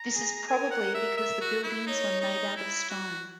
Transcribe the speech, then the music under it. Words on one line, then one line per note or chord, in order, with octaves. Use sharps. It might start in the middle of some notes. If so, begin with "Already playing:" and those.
This is probably because the buildings were made out of stone.
Already playing: A#5
G#4
A#4 G#5
F#5
E5
E5
F#4
E4
D#4 C#5
D#4
E4
F#4